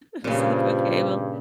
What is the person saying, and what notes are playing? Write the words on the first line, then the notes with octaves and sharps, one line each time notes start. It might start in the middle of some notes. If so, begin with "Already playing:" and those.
I was like, “Okay, well.”
G2 A#2 C#3 F3 G4